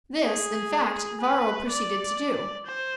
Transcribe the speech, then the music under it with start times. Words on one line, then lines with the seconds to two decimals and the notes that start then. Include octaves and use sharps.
This in fact Varro proceeded to do.
0.24 G#4
1.21 B4
1.70 D5
2.66 C5